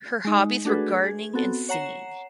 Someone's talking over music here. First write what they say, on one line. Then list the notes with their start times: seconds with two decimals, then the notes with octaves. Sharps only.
Her hobbies were gardening and singing.
0.25 G#3 D#4
0.65 A3 D4 F#4 G#4 A4 B4
1.04 G#4
1.33 B3 C4 F#4 A4
1.69 C#5 F#5 A#5 C7 E7